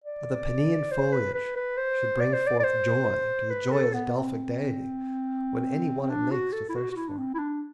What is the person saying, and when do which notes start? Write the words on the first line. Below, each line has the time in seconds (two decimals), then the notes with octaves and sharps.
That the Peneian foliage should bring forth Joy to the joyous Delphic deity, When any one it makes to thirst for it.
0.04 D5
0.92 C5
1.13 B4
1.35 B4
1.56 B4
1.77 C5
2.21 D5
2.33 C5
2.47 D5
2.60 D5
2.64 C5
3.50 B4
3.72 A4
3.94 B3
4.15 C4
6.01 C4
6.10 D4
6.31 F#4
6.53 A4
6.69 E4
6.75 F#4
6.92 F#4
6.96 E4
7.08 D4
7.18 C4
7.34 E4
7.39 D4